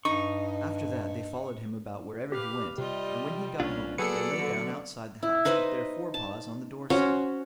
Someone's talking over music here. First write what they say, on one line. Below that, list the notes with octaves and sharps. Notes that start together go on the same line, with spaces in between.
After that they followed him about wherever he went, and when he got home, they lay down outside the house, with their fore-paws on the door sill.
G2 D#4 C#6
G4 B4 F5
C3 G3 F4 D#5
C2 A#3 C#4 D4 F4
F#3 A#3 B3 G#4 A4 B4 D5 C#7
D3
E4
D#4 B4 C5 D#5
A5
C#4 F#4 C5 C#5